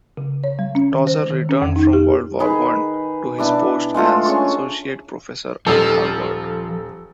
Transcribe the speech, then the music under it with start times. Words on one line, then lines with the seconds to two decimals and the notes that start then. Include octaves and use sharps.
Tozzer returned from World War One to his post as associate professor at Harvard.
0.17 C#3
0.44 C#5
0.59 G3
0.75 C#4
0.92 D#3
1.07 C5
1.30 D#3
1.49 C#4
1.62 F2
1.76 D#4
1.93 G4
2.40 D#3 G#4 B4
3.38 B2 D4 E4 D6
3.94 G#3 A3 F4 A4
4.25 C#4 D4 G#4 C#6
5.67 D#1 F3 A4